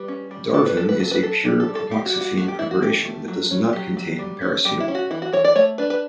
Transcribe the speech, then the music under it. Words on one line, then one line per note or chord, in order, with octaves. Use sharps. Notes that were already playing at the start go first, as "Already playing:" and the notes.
Darvon is a pure propoxyphene preparation that does not contain paracetamol.
Already playing: G3 B4
C#4
G3
D4 A4
B4
F#3 A4
B4
F#3 A4
B4
F#3 A4
G3 G4
A4
G3
A4
G3 G4
F#4
G3
F#4
A3 F#4
G4
E3 E4
F#4
A3 G4
A3
F#3
C#4
F#3 G4
F#3
G3
C#4
G3 G4
E4
C#4
F#4
E3 E4
F#4
E3 C#5
D5
A3 C#5
D4 B4
B4